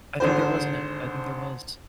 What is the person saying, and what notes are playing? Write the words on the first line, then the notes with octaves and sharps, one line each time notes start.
I think there wasn't it I think there was.
G#1 D3 C5